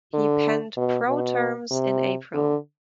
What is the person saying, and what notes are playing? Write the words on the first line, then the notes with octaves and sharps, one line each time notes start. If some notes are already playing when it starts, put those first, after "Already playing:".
He penned pro terms in April.
D3
B2
B2
C3
D3